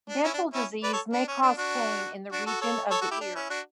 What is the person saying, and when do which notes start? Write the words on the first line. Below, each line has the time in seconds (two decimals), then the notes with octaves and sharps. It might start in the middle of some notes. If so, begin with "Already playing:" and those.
Dental disease may cause pain in the region of the ear.
0.09 D4
0.24 C#4 E4
0.34 D4
0.53 C#4 E4
0.83 B4 D5
0.93 A4 C#5
1.13 D4
1.28 C#4
1.42 D4
1.58 D4 F#4
2.32 D4 F#4
2.46 F#4 A4
2.61 A4 C#5
2.90 A4 C#5
3.01 F#4 A4
3.11 E4 G4
3.21 D4
3.35 C#4 E4
3.50 D4 F#4